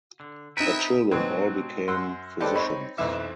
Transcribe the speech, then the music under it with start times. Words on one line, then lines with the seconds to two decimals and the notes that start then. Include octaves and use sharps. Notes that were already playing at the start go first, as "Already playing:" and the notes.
Their children all became physicians.
0.20 D3
0.57 C4 D#4 E4 B4 E5 A#5
1.11 G#2 B2 F#3 B3 C4
1.87 F#2 F#5 C6 E6
2.40 G#3 G4 A4 B4 C5 D5
2.55 C4 D#4 C#5 B5
2.97 B1 F2 E3 E5 D6